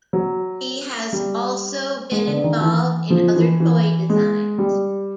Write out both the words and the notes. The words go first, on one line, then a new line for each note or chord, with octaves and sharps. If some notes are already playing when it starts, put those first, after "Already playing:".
He has also been involved in other toy designs.
F#3
G3
G#3
D3
D#3
E3
F3
E3
E3
G#3
G3